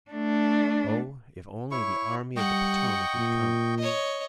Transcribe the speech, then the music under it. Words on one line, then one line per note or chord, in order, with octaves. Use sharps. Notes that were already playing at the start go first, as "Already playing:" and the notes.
Oh, if only the Army of the Potomac would come!
A3 D4
E4 C#5 C#6
G3 D#5 F#5 G5 C#6
A#2
C#5 D#5